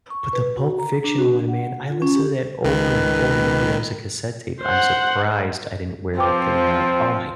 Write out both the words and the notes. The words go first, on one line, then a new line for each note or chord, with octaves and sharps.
but the Pulp Fiction one, man, I listen to that over and over and over, that was a cassette tape, I'm surprised I didn't wear that thing out. Oh, my
C#6
B4
F#4
A#5
D4
F#4
D4
F#5
F4
C#4
G4
C#2 D#3 B4
C5 F#5
F3 C4 B4 G5 D6